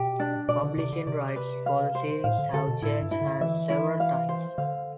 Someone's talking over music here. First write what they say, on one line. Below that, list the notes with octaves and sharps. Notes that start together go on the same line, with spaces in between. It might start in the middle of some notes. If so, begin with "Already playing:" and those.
Publishing rights for the series have changed hands several times.
Already playing: B2 G4
D4
B2 D5
D3
C3 D5
D3
C3 D5
B4
F5
C5
A2 F5
D3
D3 A4
B2
A2 E4
G2
E4
D3
E3 E5
E4
F5
C5
D3 F5